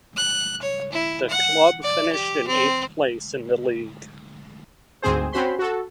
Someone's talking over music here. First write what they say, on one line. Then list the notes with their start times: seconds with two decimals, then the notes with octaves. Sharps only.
The club finished in eighth place in the league.
0.17 F#6
0.62 C#5
0.92 E4
1.29 F#5
1.82 D5
2.12 G4
2.47 C4
5.02 D2 G#2 C4 G#4 C5
5.32 C4 C#4 F#4 C5 B5 C6
5.59 F#4 A4